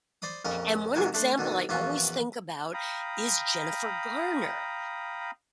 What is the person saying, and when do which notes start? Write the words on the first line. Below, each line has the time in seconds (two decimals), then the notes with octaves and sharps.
And one example I always think about is Jennifer Garner.
0.22 C5 D5 B5 D#6
0.45 A#1 F2 C#4 A#4 D#5
0.95 G#2 C3 D#3 F#3 G#3
1.14 A3 D4 A4 C5 A5
1.38 B2 D3 D#3
1.69 A#1 E2 C#4 F4 F#4 C#6
2.74 F5 G5 A#5 B5 D#6